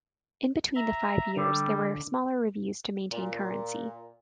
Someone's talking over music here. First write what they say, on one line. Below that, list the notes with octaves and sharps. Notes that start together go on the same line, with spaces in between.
In between the five years, there were smaller reviews to maintain currency.
E5 A#5
D3 G3
A#2